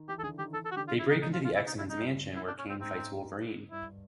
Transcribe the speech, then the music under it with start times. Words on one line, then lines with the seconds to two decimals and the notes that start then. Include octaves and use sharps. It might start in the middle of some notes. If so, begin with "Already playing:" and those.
They break into the X-Men's mansion where Kaine fights Wolverine.
Already playing: D#3
0.08 E3 G4
0.19 A4
0.23 D3 G#4
0.38 D#3 G4
0.53 E3 A4
0.65 A4
0.72 F#4
0.76 D3 G4
0.88 F4
0.99 E4
1.10 A#2 D#4
1.22 B2 D#4
1.33 C3 F4
1.45 C#3 F4
1.56 E4
1.60 B2
1.67 D#4
1.75 G2 E4
1.90 D#4
2.36 E4
2.47 D4
2.58 C#4
2.69 C4
2.80 G#2 C4
3.03 G#2
3.72 G2 E4